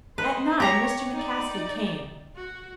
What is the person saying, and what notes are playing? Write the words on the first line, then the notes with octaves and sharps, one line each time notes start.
At nine Mr. McCaskey came.
B4 C5 D#5
G4 C#5 A#5
D#4 D5
F#4